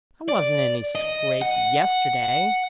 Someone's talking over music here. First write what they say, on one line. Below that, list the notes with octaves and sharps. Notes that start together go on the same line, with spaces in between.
"I wasn't in any scrape yesterday."
D5
D#5
F#5